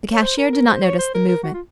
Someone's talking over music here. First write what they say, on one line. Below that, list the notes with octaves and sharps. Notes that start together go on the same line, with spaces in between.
The cashier did not notice the movement.
C#5
C5
A#4
A#4
C5
C#5
C5
A#4
A#4
F#4
F4